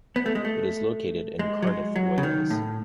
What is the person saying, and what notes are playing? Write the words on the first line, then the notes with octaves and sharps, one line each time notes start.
It is located in Cardiff, Wales.
B3
A3
G#3
A3
G#3
F#3
G#3
F#3
C#3
D#3
A2